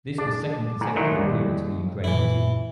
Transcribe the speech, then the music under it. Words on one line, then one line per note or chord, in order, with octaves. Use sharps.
This was second consecutive appearance for Ukrainian team.
D4 G#4 D6
A2 G#5 A#5
D2 D#3 F#3
D#2 G3 E4
F#2 A#2 E3 E4